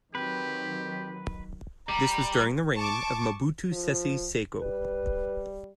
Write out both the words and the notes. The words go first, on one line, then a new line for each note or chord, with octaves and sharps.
This was during the reign of Mobutu Sese Seko.
D#3 F#3 C4 G4 B4
G3 A#5
A5 C#6 D6
F3
G3 B4